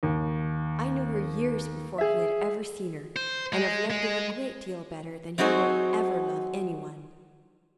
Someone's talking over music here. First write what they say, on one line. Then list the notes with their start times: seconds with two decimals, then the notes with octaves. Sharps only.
I knew her years before he had ever seen her, and have loved her a great deal better than he will ever love any one.
0.03 D#2
1.98 G#4 E5
3.16 C5
3.53 G#3
3.90 G#3
5.38 F#3 C4 D#4 F#4 G#4 C5